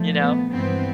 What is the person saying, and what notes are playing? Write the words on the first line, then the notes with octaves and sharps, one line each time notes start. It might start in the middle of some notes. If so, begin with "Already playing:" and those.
you know?
Already playing: A#2 F3 A3
B3
G2 E3 G#3 B3 C4